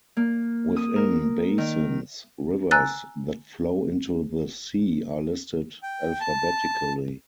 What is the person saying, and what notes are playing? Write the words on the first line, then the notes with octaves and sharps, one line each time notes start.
Within basins, rivers that flow into the sea are listed alphabetically.
A#3
D#6
A#4
D#3
G#5 A#5 E6 F#6 A6
G5
A5